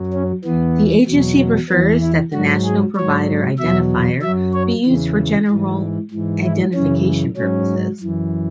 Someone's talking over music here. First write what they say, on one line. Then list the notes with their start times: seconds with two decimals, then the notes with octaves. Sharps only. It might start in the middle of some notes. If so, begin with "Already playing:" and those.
The agency prefers that the National Provider Identifier be used for general identification purposes.
Already playing: F#2 F#3
0.13 C#4
0.44 E2 E3 B3
1.07 E2 B2 F#3
1.70 E2 E3 B3
2.01 E4
2.33 G#2 F#3 F#4
2.65 G#4
2.96 G#2 F#3 C#5
3.59 E2 B2 F#3 E5
4.22 F#2 F#3 E5
4.53 C#5
4.85 E2 C#3 E3
5.48 G#2 E3
6.11 G#2 E3
6.43 E4
6.74 F#2 C#3 E3 C#4
7.37 G#2 F#3 C#4
8.00 F#2 E3